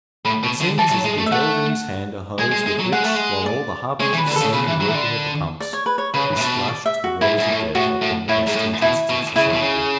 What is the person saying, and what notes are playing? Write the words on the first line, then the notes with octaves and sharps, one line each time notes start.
It seems as if he held in his hand a hose with which, while all the harpies of sin were working at the pumps, he splashed the waters of death upon the best interests of society.
A2 B5
B2
D3
E3 A5
F#3
G#3
A3
E5
A3 F#5
G#3 G#5
G#3
G#3
F#3
G#3 F#5
A3
G#3
D5
G#3 C#5
E3
B4
D3
B4
A4
C#3
C#3 B4
E3
F#3
E3
D3
D5
C#5
B4
C#5
C#3 B4
A2
B2
D5
E5
F#4
G#2 E4
G#2
A2
A2 F#4
A2
A2 E4
G#2
A2
B2 E4
B2
C#3 E4
B2
C#3